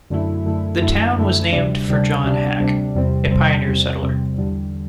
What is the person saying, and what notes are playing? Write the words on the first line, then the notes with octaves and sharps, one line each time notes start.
The town was named for John Hack, a pioneer settler.
F#2 D3 A3 E4
F#2 D3 A3 E4
F#2 D3 A3 E4
F#2 D3 A3 E4
D2 C3 G3 D4
D2 C3 G3 D4
D2 C3 G3 D4
D2 C3 G3 D4
E2 C3 G3 C4
E2 C3 G3 C4
E2 C3 G3 C4
E2 C3 G3 C4
E2 D3 G3